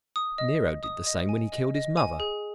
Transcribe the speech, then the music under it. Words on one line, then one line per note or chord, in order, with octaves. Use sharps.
Nero did the same when he killed his mother.
D#6
D#5
D#5
D#6
D#5
G#5
D#5
D#5
G#5
G#4